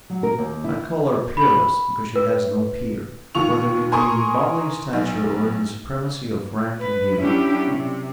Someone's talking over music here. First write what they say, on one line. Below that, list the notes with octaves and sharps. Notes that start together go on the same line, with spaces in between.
I call her peerless because she has no peer, whether it be in bodily stature or in the supremacy of rank and beauty.
F#3
A#4
D#2
E4
B5
B4
D#2 F4 C#6 F7
A#4 G#5 C6 C#6 D#6
B1
B4
F#3 G3 C#4 D4 E4 G4
C3